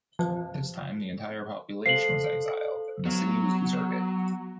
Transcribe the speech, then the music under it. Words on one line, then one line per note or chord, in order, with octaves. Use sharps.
This time the entire population was exiled, and the city was deserted.
F3
A4 C5 F5 C7 F#7
F#3 B3